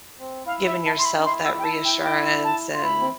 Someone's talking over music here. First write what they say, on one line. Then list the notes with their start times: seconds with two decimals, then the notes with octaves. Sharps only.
giving yourself that reassurance and,
0.19 C4
0.46 E4 F5
0.66 E5
0.86 A5
0.98 C6
1.05 B5
1.19 D4
1.25 E4 C6
1.45 E6
1.59 G5
1.64 A5
1.85 G5
2.04 G5
2.44 A5
2.74 F4
2.83 E4 B5
3.01 C4